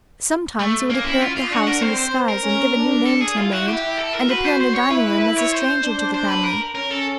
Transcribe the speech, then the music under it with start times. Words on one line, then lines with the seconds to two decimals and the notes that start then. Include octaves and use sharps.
Sometimes he would appear at the house in disguise and give a new name to the maid and appear in the dining-room as a stranger to the family.
0.59 A3
0.89 A#3 C#4
1.04 E4
1.21 F4
1.35 F4
1.51 D4 F#4
1.67 A#4
1.82 C4 C5
1.97 C5
2.28 A#4
2.43 C#4
2.75 D4
3.05 A4
3.21 G#4
3.36 E4 F4
3.52 F#4
3.67 E4 G4
3.97 A4
4.13 A#4
4.28 F#4 B4
4.45 C5
4.60 C5
4.75 C#5
4.90 E4 B4
5.21 B4
5.37 C#5
5.53 C5
5.84 D4
6.14 C5
6.29 B4
6.44 A#4
6.75 C#4 A#4
6.91 A4